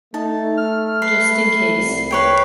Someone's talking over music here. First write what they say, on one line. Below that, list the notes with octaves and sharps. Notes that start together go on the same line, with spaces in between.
Just in case.
A3 D#4 A5
F6
B4 C7
C2
B4 C#5 G5